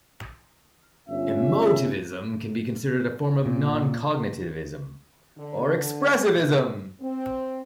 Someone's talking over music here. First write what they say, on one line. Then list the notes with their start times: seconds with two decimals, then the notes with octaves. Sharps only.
Emotivism can be considered a form of non-cognitivism or expressivism.
1.09 G1 C#4 F4 E5
3.46 A#2
5.37 D3
5.75 D3
6.31 B2
7.01 C4